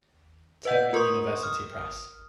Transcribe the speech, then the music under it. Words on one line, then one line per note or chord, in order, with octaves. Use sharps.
Tehran University Press.
B4 D#5 F#5 G6
F4 A#4 C6 C#6 D#6
D#6 F6